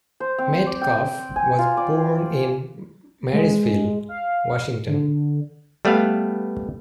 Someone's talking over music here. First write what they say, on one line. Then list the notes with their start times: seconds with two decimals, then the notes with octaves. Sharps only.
Metcalf was born in Marysville, Washington.
0.20 C5
0.38 C4
0.67 D5
0.81 G5
1.36 G#5
1.59 F4
1.77 D5
3.33 G#3
4.09 F5
4.88 D3
5.85 G3 A3 B3 B4 F5